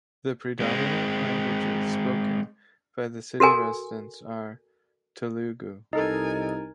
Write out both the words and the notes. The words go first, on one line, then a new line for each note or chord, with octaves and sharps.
The predominant languages spoken by the city residents are, Telugu.
G#3 C4
F#4 A4 A#4 G#5
C2 D#4 A4 A#4 D#5 G#5